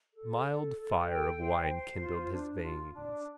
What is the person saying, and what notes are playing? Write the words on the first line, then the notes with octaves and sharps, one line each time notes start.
Mild fire of wine kindled his veins.
A4
A4
A4
G5
C5
C5
F4
D4
F4
D4